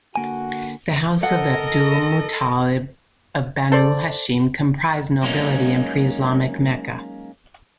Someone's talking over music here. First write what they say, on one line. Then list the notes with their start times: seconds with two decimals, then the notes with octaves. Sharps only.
The House of Abdul-Muttalib of Banu Hashim comprised nobility in pre-Islamic Mecca.
0.16 D3 A#3 F#4 G#5
1.23 A4 A#4 D#5 F#5
3.72 A4 C5 D5
5.23 F#3 G#3 A#3 C#4 D#4